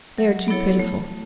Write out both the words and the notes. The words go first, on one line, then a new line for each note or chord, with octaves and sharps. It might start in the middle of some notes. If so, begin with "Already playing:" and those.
They are too pitiful.
F#3
B3 E4 A4 C#5
A3